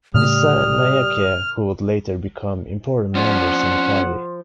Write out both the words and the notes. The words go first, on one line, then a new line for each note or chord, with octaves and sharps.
Dissanayake who would later become important members in the party.
A2 C#3 G3 A3 D#6 F6
F3 C#4 D4 F#5 C6